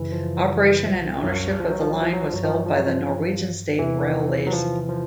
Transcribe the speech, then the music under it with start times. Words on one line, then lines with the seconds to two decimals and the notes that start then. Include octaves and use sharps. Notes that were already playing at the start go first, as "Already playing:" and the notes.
Operation and ownership of the line was held by the Norwegian State Railways.
Already playing: F#2 C#3 E3
0.12 F3
0.85 C2 A#2 F3
1.23 F#2 F#3
1.60 F3
1.70 F#3
1.80 F3
1.92 F#3
2.02 F3
2.13 F#3
2.24 F3
2.32 G2 E3 F#3
2.44 F3
2.55 F#3
2.66 F3
2.76 F#3
2.87 F3
3.79 E2 C3 E3
4.47 F#3
4.53 F3
4.89 F3